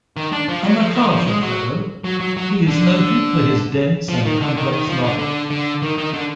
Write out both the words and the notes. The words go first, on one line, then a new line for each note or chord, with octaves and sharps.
A MacArthur Fellow, he is noted for his dense and complex novels.
D#3
D4
F3
F#3
F3
D#3
F3
G#3
F#3
F#3
F#3
F#3
D3
F3
D#3
D3
D#3
D#3
F3
D3
D3
D3
D#3
D#3
D3